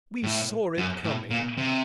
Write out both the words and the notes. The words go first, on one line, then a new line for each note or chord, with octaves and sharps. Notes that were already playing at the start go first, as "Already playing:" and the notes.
We saw it coming!
A2
F#2
A2
A#2
C3